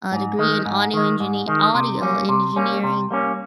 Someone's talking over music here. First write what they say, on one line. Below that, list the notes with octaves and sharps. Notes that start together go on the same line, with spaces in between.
a degree in audio enginee audio engineering
G#2
D#3 G#3
G#2
D#3 G#3
G#2
D#3 G#3
C3
G3 A#3 C#4
C3
G3 A#3 C#4
C3
G3 A#3 C#4